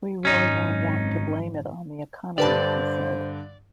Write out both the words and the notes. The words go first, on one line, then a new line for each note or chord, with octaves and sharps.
"We really don't want to blame it on the economy," he said.
G#1 F#2 C#4 D#4
G2 D3 G4 B4 C5 D5 A5